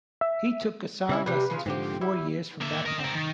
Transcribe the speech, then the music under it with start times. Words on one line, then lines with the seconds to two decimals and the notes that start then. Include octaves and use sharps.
He took guitar lessons for four years from that point.
0.21 E5
1.09 C#3 G3 C4 C#4 E4 E5
1.26 C3 G3 G4 B4
1.50 C#3 G#3 F4
1.66 G#2 D3 F3 C4 F4 G4
2.01 G3 E4
2.61 A#3 E5
2.85 A#4 D#5
3.00 C4 A#4
3.15 D#3